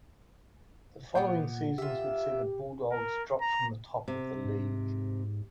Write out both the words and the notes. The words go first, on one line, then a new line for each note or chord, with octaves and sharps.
The following seasons would see the Bulldogs drop from the top of the league.
A#2 B3 F#5 D6 G6
F4 G4 E5
A#4
A#5
C3
G#2